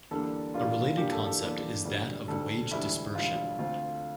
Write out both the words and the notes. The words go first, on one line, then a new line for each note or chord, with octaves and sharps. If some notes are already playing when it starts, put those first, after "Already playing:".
A related concept is that of wage dispersion.
E2 D3 G3 A#3 D4 A4
E2 D3 G3 A#3 D4 F4
E2 D3 G3 A#3 D4 G4
A4
A4
E2 D3 G3 A#3 D4
E1 D2 D3 G3
E1 D2 D3 G3 A4
E1 D2 D3 G3 E4
E1 D2 D3 G3 F4
D2 D3 A3 C4 F4